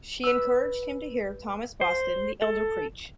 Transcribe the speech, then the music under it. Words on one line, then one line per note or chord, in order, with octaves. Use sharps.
She encouraged him to hear Thomas Boston the elder preach.
B4 E6
C5
A4